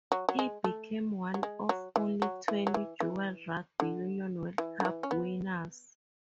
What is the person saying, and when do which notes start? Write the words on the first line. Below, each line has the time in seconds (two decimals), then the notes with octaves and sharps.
He became one of only twenty dual Rugby Union World Cup winners.
0.12 F#3
0.29 F#3
0.39 G#3
0.64 A3
1.34 F#3
1.43 G#3
1.69 F#3
1.96 E3
2.22 F#3
2.48 E3
2.67 F#3
2.74 E3
3.00 E3
3.80 D3
4.58 E3
4.80 D3
4.85 E3
5.03 C#4
5.11 B3